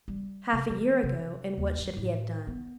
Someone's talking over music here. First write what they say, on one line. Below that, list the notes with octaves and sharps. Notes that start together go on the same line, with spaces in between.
Half a year ago, and what should he have done?
G3
C3
E3
C3
D#2
G2
A2
B3